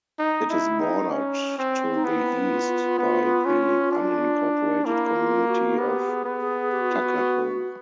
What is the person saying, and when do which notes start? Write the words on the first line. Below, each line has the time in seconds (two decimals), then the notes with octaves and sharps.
It is bordered to the east by the unincorporated community of Tuckahoe.
0.19 D#4
0.50 E4
0.80 D#4
1.11 C#4
1.59 C4
1.95 D#4
2.04 B3 E4
2.51 F4
2.98 B3
3.45 C#4
3.91 D4
4.85 A#3 E4
5.16 F4
5.48 F#4
5.78 B3 G4
6.09 G#4
6.25 B3
6.41 G#4
6.72 G4
6.81 F#4
6.91 F4
7.00 F#4
7.18 F#4